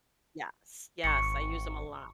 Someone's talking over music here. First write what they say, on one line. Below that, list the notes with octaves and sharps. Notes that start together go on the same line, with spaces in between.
Yes, yes. I use 'em a lot.
G#1 C#6 C#7